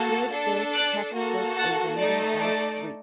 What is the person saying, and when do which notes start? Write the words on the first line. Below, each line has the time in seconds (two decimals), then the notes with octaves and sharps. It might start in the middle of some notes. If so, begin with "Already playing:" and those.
Give this textbook a rating of three.
Already playing: A#3 F#4 A4
0.32 D4 A4
0.73 D6 F#6
1.14 A#3 F#4 A4
1.56 F#5 A5
1.98 A3 D#4 A4 D5
2.40 D5